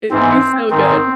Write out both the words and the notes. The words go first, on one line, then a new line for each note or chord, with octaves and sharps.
It'd be so good.
G#2 E3 C4
G#2 D#3 C4